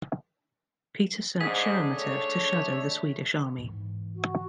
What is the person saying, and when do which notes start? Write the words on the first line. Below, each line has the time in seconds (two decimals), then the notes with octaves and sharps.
Peter sent Sheremetev to shadow the Swedish army.
1.41 G#2 D4 G#4 B6
1.95 A3 C#5
3.58 G#2 E3
4.15 F#4